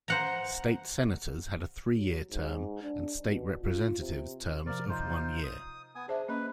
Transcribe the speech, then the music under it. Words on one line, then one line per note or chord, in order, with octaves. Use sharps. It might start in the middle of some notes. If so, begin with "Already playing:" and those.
State Senators had a three-year term and State Representatives terms of one year.
C5 F#5 A#5
F#3
G#2
D4
B2
F4
C3
C3 F3 A#4 D5
D#4 F4 C5
D#6
B3 G#5 D#6
D4 G#4 C5 E5
A#3 C#4 B4 D#5